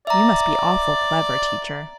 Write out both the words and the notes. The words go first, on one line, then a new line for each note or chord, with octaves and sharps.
You must be awful clever, teacher.'
D5 E5 A#5